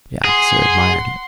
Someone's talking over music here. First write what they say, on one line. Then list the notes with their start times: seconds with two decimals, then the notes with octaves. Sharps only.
The officer admired it.
0.25 G#4 F#5 C6